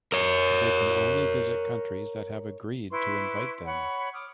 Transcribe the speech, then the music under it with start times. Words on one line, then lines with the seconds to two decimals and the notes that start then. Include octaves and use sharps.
They can only visit countries that have agreed to invite them.
0.12 A#4 C#5
2.91 E4 B4 C6 C#6
3.65 C#5 F#5 B5
4.12 D6 D#6 F6